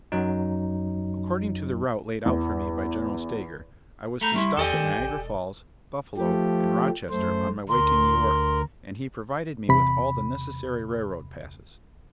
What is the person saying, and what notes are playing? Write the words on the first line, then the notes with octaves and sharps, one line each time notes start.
According to the route laid out for me by General Stager, I was to stop at Niagara Falls, Buffalo and Rochester on my way to New York, and he provided me with all the necessary railroad passes.
F#2 F#3 D#4
E2
A3 A#5 B5 G6
G3 C4 E4 E5 C6 C#6
E2 G4 A4 D5 D#5 G#5
D#3
A1
E1
F3 A3 G4
F#2 A3 C5
D2 A#4 C6
E2 C3 B5